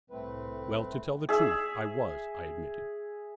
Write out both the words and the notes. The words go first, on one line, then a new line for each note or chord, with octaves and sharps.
"Well, to tell the truth, I was," I admitted.
C2 A2 A3 C4 B4
G#4 E5